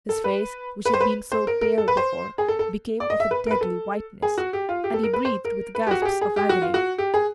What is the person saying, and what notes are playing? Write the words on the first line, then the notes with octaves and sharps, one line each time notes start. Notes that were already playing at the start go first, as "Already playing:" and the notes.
His face, which had been so pale before, became of a deadly whiteness, and he breathed with gasps of agony.
A4
B4
B4
C5
B4
C5
A#4
A#4
A4
B4
C5
G#4
A4
A4
D5
D#5
E5
B4
A#4
B4
A4
G#4
F#4
G4
F4
G4
A4
A#4
B4
C5
A#4
B4
G4
F#4
G#4
G4
G#4
G4
F#4
F4
F#4
G4
G#4